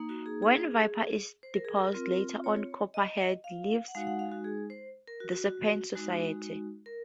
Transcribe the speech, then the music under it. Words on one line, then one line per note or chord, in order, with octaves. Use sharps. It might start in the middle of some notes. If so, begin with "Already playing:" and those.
When Viper is deposed later on Copperhead leaves the Serpent Society.
Already playing: A#3 D#4
F#4
G#4
G#4
C5
A#4
G#4
A#4
C4 F4
C#5
D#5
F5
F#5
G#3 D#4 F#4 F5
F#5
F5
F#4
G#4
C5
A#4
F#4
F#4
F#4
G#3 D#4 F#4
A#4